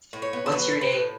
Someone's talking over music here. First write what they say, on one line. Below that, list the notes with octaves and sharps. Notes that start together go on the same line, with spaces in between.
What's Your Name?
A2
C#5
B3
A4
F#3 B4
A2
B4
A2